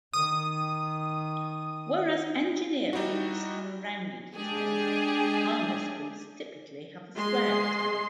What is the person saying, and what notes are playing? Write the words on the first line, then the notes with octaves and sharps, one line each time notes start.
Whereas engineer boots have a rounded toe, harness boots typically have a square toe.
D#3 D#6
G3 D#4 E4 F#4
G#3 D4 G4 G#4
G#3 C6